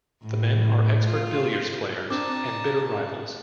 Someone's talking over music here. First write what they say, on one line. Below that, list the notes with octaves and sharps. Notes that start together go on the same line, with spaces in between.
The men are expert billiards players and bitter rivals.
A2
F4
C4 D4 D#4 A5 D6